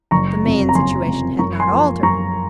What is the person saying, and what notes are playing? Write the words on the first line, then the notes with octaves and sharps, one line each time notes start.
But the main situation had not altered.
F#1 A#5 C#6
F2 C3 F3
A#5
F#1 G#5 C6
F2 C3 F3
F#2 A#5 C#6
G#5 C6
F3 A#3
F#2 A#5 C#6